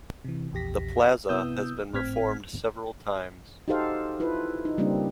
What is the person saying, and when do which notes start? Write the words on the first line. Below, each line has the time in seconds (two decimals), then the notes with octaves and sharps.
The plaza has been reformed several times.
0.25 C3 E3
0.53 A#1 E2 G4 A#6 B6
1.29 C3 B3 E4 D#6 E6 G6
1.93 G#1 A2 C4 F6 G#6 B6
3.68 D#4 F#4 G4 A4 C5 F5
4.20 E4 F4 B4
4.65 D#4
4.77 C#3 G3 A#3 C4 D4